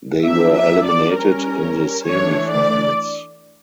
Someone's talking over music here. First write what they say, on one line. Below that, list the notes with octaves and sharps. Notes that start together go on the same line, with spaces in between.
The were eliminated in the semi finals.
F3 A#3 D4 E5
E5
D5
G3 C#4 A#4
E3 A3 D4 C#5
D5